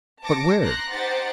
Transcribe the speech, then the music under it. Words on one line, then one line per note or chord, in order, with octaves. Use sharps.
"But WHERE?"
A5 D6 A#6 C#7
A#5 C6 F#6 A#6
D#4 G4 C5 F#5 A6